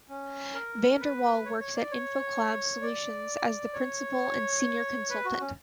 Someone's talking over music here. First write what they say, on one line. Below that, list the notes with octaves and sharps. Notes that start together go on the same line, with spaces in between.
Vander Wal works at InfoCloud Solutions as the Principal and Senior Consultant.
C#4
A#4
B4
C#5
C#5
D5
C#5
D5
C#5
B4
F#4
C#4